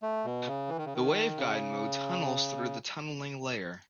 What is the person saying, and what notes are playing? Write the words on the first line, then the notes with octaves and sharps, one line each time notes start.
The waveguide mode tunnels through the tunneling layer.
A3
B2
C#3
E3
D#3
C#3
D#3
C#3